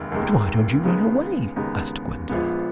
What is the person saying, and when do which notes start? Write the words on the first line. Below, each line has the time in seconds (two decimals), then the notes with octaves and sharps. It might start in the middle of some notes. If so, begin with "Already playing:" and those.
"But why don't you run away?" asked Gwendolen.
Already playing: F1 D#2 D#3 G#3
0.10 F1 D#2 D#3 G#3
0.83 D#2 C#3 G#3 B3 D#4
1.56 D#2 C#3 G#3 B3 D#4
2.29 A#1 A#2 F3 G#3 B3